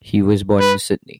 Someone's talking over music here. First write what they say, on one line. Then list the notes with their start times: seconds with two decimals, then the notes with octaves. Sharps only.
He was born in Sydney.
0.60 B4